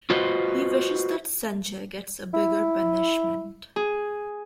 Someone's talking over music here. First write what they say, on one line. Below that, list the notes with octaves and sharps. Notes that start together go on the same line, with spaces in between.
He wishes that Sanjay gets a bigger punishment.
F4 F#4 B4 C5 D#5
E4
G#4